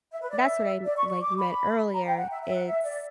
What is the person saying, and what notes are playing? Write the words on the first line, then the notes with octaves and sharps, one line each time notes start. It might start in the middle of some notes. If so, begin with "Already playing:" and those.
that's what I m like, meant earlier. It's
E5
B4
D5
E5
D5
C#6
C#6
D6
B5
A#5
G5
F#5
E5
E5
F#5
E5
D5